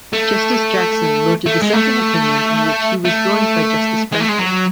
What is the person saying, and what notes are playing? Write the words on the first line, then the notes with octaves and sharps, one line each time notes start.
Justice Jackson wrote a dissenting opinion in which he was joined by Justice Frankfurter.
A3
A3
G#3
A3
A3
G#3
A3
G#3
F#3